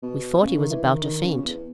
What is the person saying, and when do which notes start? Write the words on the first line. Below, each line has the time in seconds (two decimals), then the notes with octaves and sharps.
We thought he was about to faint.
0.03 B2
0.43 C#3
0.57 D#3
0.70 E3
0.83 D#3
1.03 D#3
1.24 C#3
1.45 E2